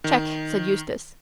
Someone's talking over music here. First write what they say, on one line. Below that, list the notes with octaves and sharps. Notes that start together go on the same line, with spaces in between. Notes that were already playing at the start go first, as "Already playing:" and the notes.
"Check!" said Eustace.
D#3